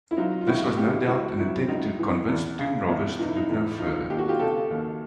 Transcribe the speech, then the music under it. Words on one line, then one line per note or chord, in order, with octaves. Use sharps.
This was no doubt an attempt to convince tomb robbers to look no further.
E4
F#3 D#4 F4
F4
C#2 E4 F#4
B2 F4 G4
C#2 E4 F#4
F#3 E4
C#2 D#4
E3
E2
C#3
E2 E4
E3 D#4
E4
D#4
E2 E4
F3 D#4 F4
D#2 G4
F#4
F4 G4
C#3 G4 A4
D#2